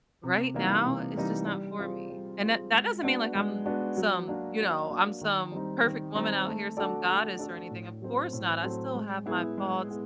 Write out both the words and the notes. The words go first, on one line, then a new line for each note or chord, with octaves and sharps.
right now, it's just not for me. And that that doesn't mean, like, I'm some, you know I'm some perfect woman out here, some goddess or anything, of course not, I still have my faults,
C3
E3 G3 A#3 D#4
C3
E3 G3 A#3 D#4
G3
C4 F4 G#4
G3
C4 F4 G#4
G#3
B3 D4 F#4
G#3
B3 D4 F#4
F#3
A#3 D4 F#4
F#3
A#3 D4 F#4
D#3
G3 C4 D#4
D#3
G3 C4 D#4
A3
D4 F#4 A4 D5
A3
D4 F#4 A4 D5
A2
F#3 A3 C4
A2
F#3 A3 C4
G#3
B3 E4 G#4
G#3
B3 E4 G#4